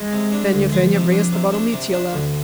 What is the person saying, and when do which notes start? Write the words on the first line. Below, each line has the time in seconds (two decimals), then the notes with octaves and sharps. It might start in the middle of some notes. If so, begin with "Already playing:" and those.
Fenya, Fenya, bring us the bottle Mitya left!
Already playing: G#3
0.13 C3
0.32 D4
0.53 D2
0.72 F3 G#3
0.93 C3
1.12 D4
1.32 C3
1.52 D4
1.72 C3
1.93 D4
2.13 D2